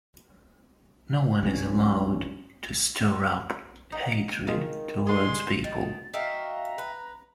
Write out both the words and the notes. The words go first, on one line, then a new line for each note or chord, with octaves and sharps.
No one is allowed to stir up hatred towards people.
F1 C2 G2 C#4
D#4
D#3 G#3 F4 F5
D3 G#3 G#4 C6
D#3 A6
D#4 F#4 E5 F5 G5 A#5
B4